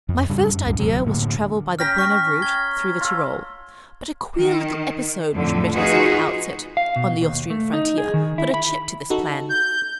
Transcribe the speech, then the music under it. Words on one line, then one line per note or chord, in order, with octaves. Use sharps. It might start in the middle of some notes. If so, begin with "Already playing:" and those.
My first idea was to travel by the Brenner route through the Tyrol; but a queer little episode which met us at the outset on the Austrian frontier put a check to this plan.
F2
G#2 C#3 G3 D4
F#2
C#2 F#2 A2
D1 D2 C3 F#3
A2 D3 A#3
C#4 G5 A#5 F6 A#6 B6
C#6 F6
G#6 G7
F4 A4
D#3
F2 A2 D3
D#4 F4 F#4 G#4 B4
F5
B2
D#2
A3
D#4
G#4
D#3
E4
B5
D#4 F#4 A4
G6